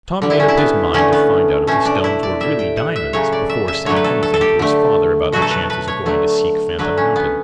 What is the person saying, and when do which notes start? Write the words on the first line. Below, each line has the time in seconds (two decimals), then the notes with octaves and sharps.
Tom made up his mind to find out if the stones were really diamonds, before saying anything to his father about the chance of going to seek Phantom Mountain.
0.22 D3 G3
0.30 E4
0.40 C#4
0.48 E4
0.57 B3
0.94 D3 A3 C#4
1.13 B3
1.67 B2 A3 C#4
1.85 D4
2.04 E4
2.23 D5
2.40 A2 G3 E5
2.59 G5
2.77 F#5
2.96 E5
3.13 C#3 F#3 A3 C#5
3.32 D5
3.50 E5
3.68 E5
3.86 D3 F#3 A3 C#5
3.96 B4
4.04 A4
4.23 A4
4.34 A4
4.41 G4
4.59 D3 A3
5.32 B2 F#3 A3 F#4
5.42 A4
5.51 B4
5.70 B4
5.88 C#5
6.06 D3 F#3 A3
6.79 D3 F#3 A3 B4
6.98 C#4
7.16 B3